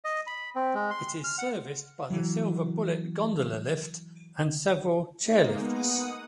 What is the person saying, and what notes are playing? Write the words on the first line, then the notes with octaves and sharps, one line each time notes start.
It is serviced by the Silver Bullet gondola lift and several chairlifts.
D#5
B5
C4
G#3
C6
F6
F#5
E3 F#3
G#3 A#3 D#4
B3 F#5 D#6